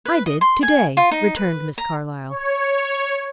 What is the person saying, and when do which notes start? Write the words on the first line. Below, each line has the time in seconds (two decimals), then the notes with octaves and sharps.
"I did to-day," returned Miss Carlyle.
0.05 B4
0.26 D#5
0.41 C6
0.63 G#5
0.97 F4
1.11 D#4
1.36 B4
1.78 A#5
2.29 C#5